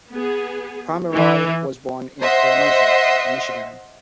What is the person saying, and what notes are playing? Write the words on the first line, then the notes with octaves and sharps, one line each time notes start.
Pomeroy was born in Kalamazoo, Michigan.
B3 G#4
E3
C5 D#5 E5 F#5 C6